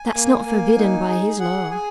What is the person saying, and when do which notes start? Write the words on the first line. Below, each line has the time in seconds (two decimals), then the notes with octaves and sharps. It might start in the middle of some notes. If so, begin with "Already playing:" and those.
"That's not forbidden by his law."
Already playing: G#5
0.14 A#3
0.45 A#3
0.77 D#4
1.09 G#4
1.40 G#4 F#5
1.71 G#4 G#5